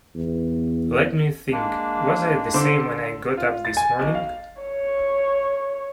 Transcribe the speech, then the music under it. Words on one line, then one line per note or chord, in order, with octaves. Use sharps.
Let me think: was I the same when I got up this morning?
E2
G#3 A#3 D4
D3 C5 D6
F4
A6
G#5
B1
F5
C#5